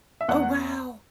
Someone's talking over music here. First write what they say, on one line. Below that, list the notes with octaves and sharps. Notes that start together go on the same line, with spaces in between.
Oh, wow.
E5
E2 F#5